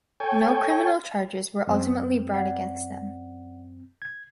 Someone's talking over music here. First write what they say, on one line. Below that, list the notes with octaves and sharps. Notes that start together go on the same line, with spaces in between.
No criminal charges were ultimately brought against them.
A4 C#5 G5 G#5
F#2 C4
D5 F#5
G#6